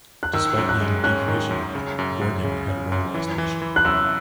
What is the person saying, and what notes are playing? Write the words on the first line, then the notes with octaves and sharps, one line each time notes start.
Despite being decommissioned, "Gorgon" had one last mission.
F#6
D#3 E6
F#2
F#6
G#3
C#4 F#6
D#3
F#2
C#3
F#2
F#2
C#3
C#3
F#2
E3
E3
E3
F#6
F#2 E6